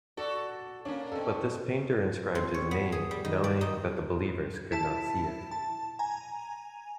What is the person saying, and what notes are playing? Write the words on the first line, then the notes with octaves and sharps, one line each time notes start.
But this painter inscribed his name, knowing that the believers could not see it.
F#4 A4 D5
A#3 C#4 D4
B2 C4 A4
C4
C#5
B3
G#4
G3
D#3
D5
D#4
E4 A5
A5
G#5 A#5